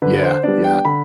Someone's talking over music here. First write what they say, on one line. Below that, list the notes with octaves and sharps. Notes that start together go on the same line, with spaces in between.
Yeah, yeah.
D3 B4
C5
G3 B3 D4 D5
G5
D3 B5